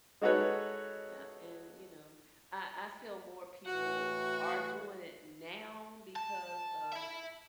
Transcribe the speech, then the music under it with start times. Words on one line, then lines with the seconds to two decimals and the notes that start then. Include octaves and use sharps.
Yep and you know I I feel more people are doing it now because of
0.21 G#3 D#4 F#4 A4 B4 C#5
3.66 A2 E3 F#4 F#5
6.16 A5
6.93 E5 B5